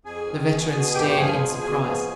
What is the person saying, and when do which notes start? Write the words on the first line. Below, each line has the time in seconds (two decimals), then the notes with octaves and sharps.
The veteran stared in surprise.
0.05 F2 G#4 G#5
0.27 D#3
0.50 B2
0.73 B2
0.94 G2 G4 G5
1.17 F3 G#4 G#5
1.39 B2
1.63 B2
1.85 F3